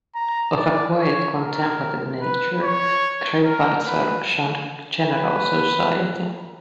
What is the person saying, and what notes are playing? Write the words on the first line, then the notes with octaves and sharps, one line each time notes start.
Of a quiet contemplative nature, Grillparzer shunned general society.
A#5
D5
C#5
A#4
B4
C#5
A#4
B4
B4